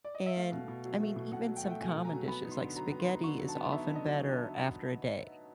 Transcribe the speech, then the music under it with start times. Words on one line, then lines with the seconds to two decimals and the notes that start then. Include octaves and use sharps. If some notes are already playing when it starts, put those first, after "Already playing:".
and, I mean, even some common dishes, like spaghetti is often better after a day,
0.05 D5
0.15 D#5
0.26 E5
0.36 A3 F5
0.52 B2
0.68 B2
0.85 F#3
1.00 A3
1.16 B2
1.32 B2 F#5
1.48 F#3
1.56 G5
1.64 A3 F#5
1.71 G5
1.81 B2 G#5
1.96 B2
2.05 A#5
2.13 F#3
2.28 B3 B5
2.45 D#4
2.52 C6
2.60 D3
2.76 F#3 A#5
2.92 B3
2.99 C6
3.08 D#4
3.24 D3 C#6
3.39 F#3
3.48 A5
3.56 B3
3.72 D#4 E5
3.87 D3
3.95 D#5
4.04 F#3